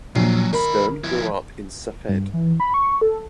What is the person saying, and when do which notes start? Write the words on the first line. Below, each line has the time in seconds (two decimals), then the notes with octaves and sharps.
Stern grew up in Safed.
0.15 A#1 F#3
0.53 D#3 A#4 B5
1.04 F3 E4
2.08 G2
2.34 E3
2.60 B5
2.74 C#6
3.01 A4